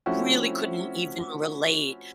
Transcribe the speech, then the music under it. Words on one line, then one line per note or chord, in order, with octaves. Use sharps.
really couldn't even relate.
F3 A3 C4 C#4 E4 F#4